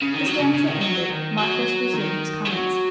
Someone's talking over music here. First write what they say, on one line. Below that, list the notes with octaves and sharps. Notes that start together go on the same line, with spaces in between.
The stanza ended, Marcos resumed his comments.
C#3
D#3
F#3
C#3
C#3
D#3
F#3
D#3
F#3
D#3
G#3
F#3